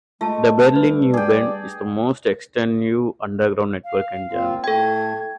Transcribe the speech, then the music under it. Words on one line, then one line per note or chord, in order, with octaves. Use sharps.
The Berlin U-Bahn is the most extensive underground network in Germany.
G#3 A3 F4 A5
G3 D4 B4 B5
G#4 D5 G5
F5
A#2 C4 F4
A2 A3 A4 G5 G#6